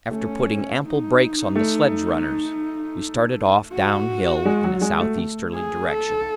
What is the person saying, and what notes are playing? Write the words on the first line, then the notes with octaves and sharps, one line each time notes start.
After putting ample brakes on the sledge-runners, we started off downhill in a south-easterly direction.
A3 C#4
D#4
A3
F#4
G#3
F#3
G#3
A3
A3
G#4
A4